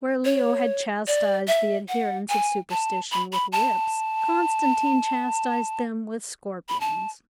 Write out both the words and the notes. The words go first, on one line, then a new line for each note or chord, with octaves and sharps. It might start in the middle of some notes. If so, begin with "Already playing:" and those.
Where Leo had chastised the adherents of superstition with whips Constantine chastised them with scorpions.
C#5
D5
E5
F#5
G#5
A5
B5
B5
A5
B5
A5